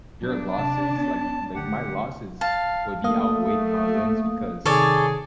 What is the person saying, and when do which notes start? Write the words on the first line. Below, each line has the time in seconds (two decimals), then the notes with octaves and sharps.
your losses like, y like, my losses would be outweighed my wins because
0.22 F#3 B3 D4
0.58 C3 A5
0.97 B3
1.56 D3 A3 G4 F#5
2.41 F5 A5
3.04 A3 A#3 F5 D#6
4.65 C3 D#3 G#4 A4 C#5 D5